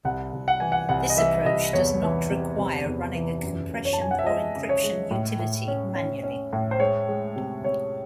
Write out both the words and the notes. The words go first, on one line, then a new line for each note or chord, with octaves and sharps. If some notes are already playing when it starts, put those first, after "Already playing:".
This approach does not require running a compression or encryption utility manually.
C2 F#5
C2
F#5
E3 G#5
F#5
C2 F#5
D#5
E3 E5
C2 D#5
E2 C#5
E3
C3
C3
E2
E3
F#2
F#2
C#5
A5
F#2 G#5
F#5
E5
G#3 D#5
C#3
C#5
G#3
A2
A2
C#4
C#4
C#4
A2
C5
G#3 C#5
G#3
C3
C3 C#5